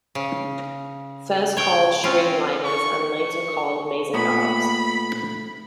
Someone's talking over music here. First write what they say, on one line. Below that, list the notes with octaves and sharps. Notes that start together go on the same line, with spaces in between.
First called "Streamliners", and later called "Mazengarbs".
C#3
C#5 G5
C4 C#4 F4
C#6
C#6
A#2 A3 B3 B5